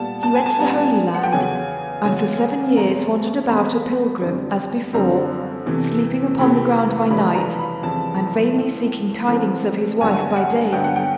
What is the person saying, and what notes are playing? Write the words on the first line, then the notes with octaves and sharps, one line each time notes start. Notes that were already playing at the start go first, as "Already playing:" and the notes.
He went to the Holy Land, and for seven years wandered about a pilgrim, as before, sleeping upon the ground by night, and vainly seeking tidings of his wife by day.
Already playing: A#2 G3 B3 A5
A5
G#5
A5
A#2 G3 B3 A#5
F#5
G5
E2 C#3 F#3 B3 G#5
E2 C#3 F#3 B3 G#5
E2 B2 G#3 C4 A#5
E2 B2 G#3 C4 B5
F#2 D3 G3 C4
F#2 D3 G3 C4 A#5
E2 C3 E3 A3
E2 C3 E3 A3 B5
F2 C#3 E3 G3 B5
A#5
B5
F2 C#3 E3 G3 A5
A2 E3 A3 C4
A2 E3 A3 C4
G2 D3 F#3 B3 G#5
F#5
G2 D3 F#3 B3 G5
F#5
G5